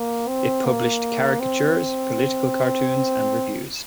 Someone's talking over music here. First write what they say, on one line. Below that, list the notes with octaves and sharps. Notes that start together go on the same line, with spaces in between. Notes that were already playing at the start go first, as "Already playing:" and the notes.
It published caricatures, political cartoons and reviews.
Already playing: A#3
C4
A#3
C4